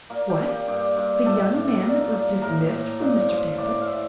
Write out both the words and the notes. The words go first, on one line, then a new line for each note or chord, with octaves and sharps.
"What! the young man that was dismissed from Mr. Tappitt's?"
A#2 A#3
G4
A#2
G4
G2 G4
G2
A2 A4
A2
A#2
A#2
A2 A#4
A2
G2
F3
A2 D5
F5
A2 E5